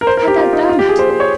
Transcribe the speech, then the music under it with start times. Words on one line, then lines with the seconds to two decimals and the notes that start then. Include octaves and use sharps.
And I don't.
0.01 A#4
0.07 C5
0.17 A#4
0.28 G4
0.38 F4
0.53 D#4
0.69 F4
0.79 G4
0.89 G#4
0.99 C5
1.10 C5
1.20 C#5